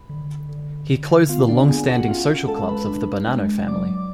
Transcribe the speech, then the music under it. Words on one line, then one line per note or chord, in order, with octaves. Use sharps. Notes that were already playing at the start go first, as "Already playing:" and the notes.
He closed the long-standing social clubs of the Bonanno family.
Already playing: B5
D3
D3
D3
B3 F4 F5
D4 D5
B3 G#4 G#5
F#4 F#5
C#4 F4 F5
G#3 A4 A5
B4 B5
D4
G#3
F#3 D5 D6